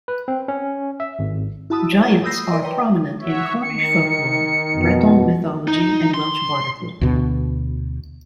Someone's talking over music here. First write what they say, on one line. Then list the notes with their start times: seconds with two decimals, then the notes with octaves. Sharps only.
Giants are prominent in Cornish folklore, Breton mythology and Welsh Bardic lore.
0.08 B4
0.28 C4
0.48 C#4
1.00 E5
1.19 G#1
1.70 E4 F#4 A5 B5 D#6 E6
1.92 C#5
2.09 A#3 G#4 A#4
2.23 B5 D#6 E6 G6 A#6 C7
2.51 A#4 D5 D#5 C6
2.62 A#4 B4 C#5 D#5 G5 A#5
3.21 F#4 C#5 E5
3.63 D#3 C#7
4.75 F2 B2
5.68 D#4
6.14 C6
7.01 D2 B2